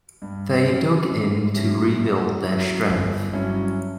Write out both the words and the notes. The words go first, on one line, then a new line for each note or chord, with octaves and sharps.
They dug in to rebuild their strength.
G2
F#3 C#4 E4
G2
F#3 C#4 E4
G2
F#3 C#4 E4
G1
G2 F#3 C#4 E4